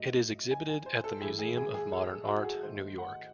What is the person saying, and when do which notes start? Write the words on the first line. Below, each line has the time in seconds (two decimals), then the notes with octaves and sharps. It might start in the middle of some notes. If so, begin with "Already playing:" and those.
It is exhibited at the Museum of Modern Art, New York.
Already playing: A2 F#3 A3 D#5
0.51 G#5
0.69 G#5
0.86 C5
1.04 A4
1.21 A2 E3 A3 G#4
1.39 G#4
1.57 G#4
1.74 G#4
1.92 A4
2.09 G#4
2.27 F#4
2.44 G#4
2.63 G#2 D#3 A3 C5
2.98 F#5